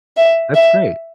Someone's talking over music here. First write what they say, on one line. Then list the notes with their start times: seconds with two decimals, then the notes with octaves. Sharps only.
That's great.
0.17 E5
0.55 E5